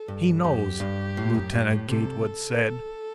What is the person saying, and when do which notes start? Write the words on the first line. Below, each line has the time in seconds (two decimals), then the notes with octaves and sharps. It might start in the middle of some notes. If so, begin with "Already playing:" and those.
"He knows," Lieutenant Gatewood said.
Already playing: A4
0.08 G2
0.44 F#2 G4
0.80 G2
1.17 A2
1.34 F#2
1.53 G2
1.71 A2
1.88 C2 C3 A4